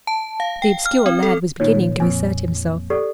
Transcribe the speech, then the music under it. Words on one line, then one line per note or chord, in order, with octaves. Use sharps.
The obscure lad was beginning to assert himself.
A5
F5
G5
F6
C4
A4
A#2 D#3 C#5
F2 A#2 G#5
G4 A4 D5